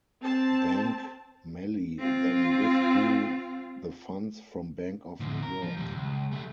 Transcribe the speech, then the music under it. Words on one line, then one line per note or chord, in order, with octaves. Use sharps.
Bank Melli then withdrew the funds from Bank of New York.
C4 A5
C4 F4
D2 A2
A#4
F3
D#2 G3
C#2
G3 A3